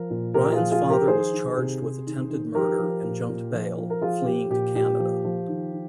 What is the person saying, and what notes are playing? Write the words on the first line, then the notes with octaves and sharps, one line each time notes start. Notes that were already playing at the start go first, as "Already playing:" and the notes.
Ryan's father was charged with attempted murder and jumped bail, fleeing to Canada.
Already playing: F3 A#4
A#2
A#2 G4 A#4
F4 G#4
F3
F4 G#4
F3
G4 A#4
D#3 G#4 C5
D#3
C3
C3
D#3
D#3
F3 G4 A#4
F3
A#2
A#2
F3
F3
A#4
F3 F4 G#4
F3 G4
A#2 G4
A#2 G4
F3
F3
D#3
D#3